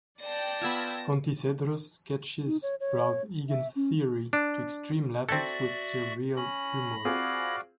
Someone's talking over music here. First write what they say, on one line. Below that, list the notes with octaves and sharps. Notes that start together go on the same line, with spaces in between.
Fontecedro's sketches brought Egan's theory to extreme levels with surreal humor.
D5 G5 A5 A#6
B3 F4 B5 E6 G#6
D#4
C#5
C#5
E5
C#4
D4
C4 F#4 A4 D5 E5 A6
C#4 B5 A#6
C4 F4 F#4 G#4 D5 F5